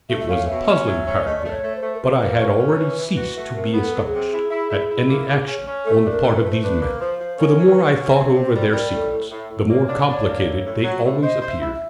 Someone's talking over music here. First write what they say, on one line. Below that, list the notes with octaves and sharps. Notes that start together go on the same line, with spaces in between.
It was a puzzling paragraph, but I had already ceased to be astonished at any action on the part of these men, for the more I thought over their secrets, the more complicated they always appeared.
A3 E5
E5
C#4 F5
B2 E5
C#4
F#3 E5
C#4
A3 D#5
D5
A3
C#5
A3
C5
A3
A#4
F3 B4
A#3
C#4
C#4
E3
E3
F#4
A3
C3 A#4
B3
A4
F#3 A4
G#4
C3
E4
E4
E4
E4
A#3
A#3
C#4
C#4
A3 A4
D4
A#4
A3
B4
A3
C5
D4 B4
A#3
F3 C5
F3
C#4 A#4
F#3
B4
C#4
F#3
C4 C#5
C3 C5
G3 C5
G3 A#4
A2 A4
A2
A2
A2
A#3 C#5
D4
D4
A#3
A2
A2
F#3
A2
C5 D#5
C5 D#5
E5
E4
E5